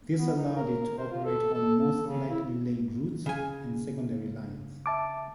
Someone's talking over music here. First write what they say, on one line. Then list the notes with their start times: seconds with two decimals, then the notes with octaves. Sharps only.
This allowed it to operate on most lightly laid routes and secondary lines.
0.19 B3
0.36 D#4
0.56 A#4
0.98 C5
1.12 F4
1.25 A4
1.54 A4
1.79 A4
2.07 C#3
2.30 E4
3.26 C#3 G#5
4.86 E5 A5 D6